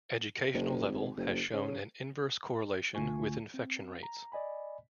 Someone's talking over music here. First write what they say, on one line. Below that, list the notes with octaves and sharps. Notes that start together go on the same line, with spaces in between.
Educational level has shown an inverse correlation with infection rates.
F#1
G#1
F#1
C#3
C#2 D3 A3 F4 G#5 C#6
C4
A#5
D5 D#5 G#5 B5